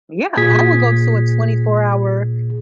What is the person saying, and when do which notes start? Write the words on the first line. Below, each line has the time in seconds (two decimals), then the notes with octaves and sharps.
Yeah, I will go to a twenty-four-hour,
0.37 A#2 G#4 G#6 B6